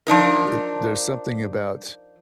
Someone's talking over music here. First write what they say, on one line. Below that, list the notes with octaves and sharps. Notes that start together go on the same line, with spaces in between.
a there's something about,
F3 D4 D#4 A#4